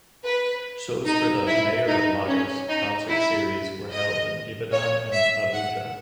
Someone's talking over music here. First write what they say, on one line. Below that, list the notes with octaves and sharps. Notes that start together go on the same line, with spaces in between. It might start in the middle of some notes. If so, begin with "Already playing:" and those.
Shows for the "Mayor of Lagos" concert series were held in Ibadan and Abuja.
B4
D#4
E4
D#4
C#4
D#4
E4
D#5
C#5
E5
F#5